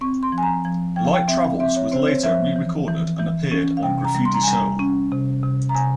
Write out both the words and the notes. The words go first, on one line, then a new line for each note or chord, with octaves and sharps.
"Light Travels" was later rerecorded and appeared on Graffiti Soul.
C4 C#6
C6
F3
G#5
A#5
F3
F3 G5
F5
G5
C4 E5
F5
C4 E5
C#5
C4 C5
C#5
F3 E5
E3
E3
E3
C#4
F5
C3 G5
A#5
G3
C6
A#5
G#5
G3 A#5
C#4
C3
C3
A#5
C3 G#5